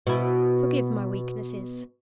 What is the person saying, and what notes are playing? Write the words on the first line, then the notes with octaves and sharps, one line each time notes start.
Forgive my weaknesses.
B2 E4